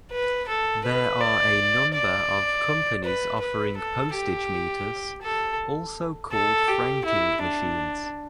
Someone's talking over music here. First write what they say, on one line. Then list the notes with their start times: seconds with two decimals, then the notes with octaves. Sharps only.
There are a number of companies offering postage meters, also called franking machines.
0.12 B4
0.49 A4
0.85 B4
1.21 D5
1.94 D5
3.04 B4
3.40 B4
3.77 A4
4.14 G4
5.23 A4
6.32 A4
6.68 G4
7.05 E4
7.42 D4